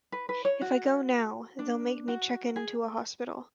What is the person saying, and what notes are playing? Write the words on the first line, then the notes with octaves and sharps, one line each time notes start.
If I go now, they'll make me check into a hospital.
B4
B4
C#5
F#4
D4
F#4
G#4